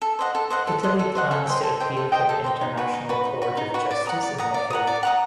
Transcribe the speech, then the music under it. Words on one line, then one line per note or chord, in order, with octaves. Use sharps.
Italy plans to appeal to the International Court of Justice in The Hague.
A4
C5 D#5 F#5
A4
C5 D#5 F#5
A4
C5 D#5 F#5
A4
C5 D#5 F#5
A4
C5 D#5 G5
A4
C5 D#5 G5
A4
C5 D#5 G5
A4
C5 D#5 G5
D#4
F#4 B4
D#4
F#4 B4
D#4
F#4 B4
D#4
F#4 B4
D5
F#5 A#5 D#6
D5
F#5 A#5 D#6
D5
F#5 A#5 D#6
D5
F#5 A#5 D#6